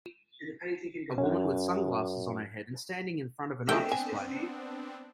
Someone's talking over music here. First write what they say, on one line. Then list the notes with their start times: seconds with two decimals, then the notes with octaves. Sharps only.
A woman with sunglasses on her head and standing in front of an art display.
1.18 F#2 C#4
3.69 A3 B3 C4 D4 A4 D#5 G5
3.92 G#5